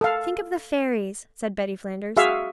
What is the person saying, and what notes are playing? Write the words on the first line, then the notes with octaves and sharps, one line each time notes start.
"Think of the fairies," said Betty Flanders.
A4 F5
F#4 G#4 E5 F5